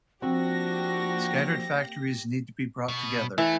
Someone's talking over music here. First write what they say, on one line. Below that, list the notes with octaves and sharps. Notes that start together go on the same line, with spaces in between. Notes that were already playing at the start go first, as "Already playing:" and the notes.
Scattered factories need to be brought together.
F3 A#3 C4 D4 F#4 G4 A#6
B2
E3 A3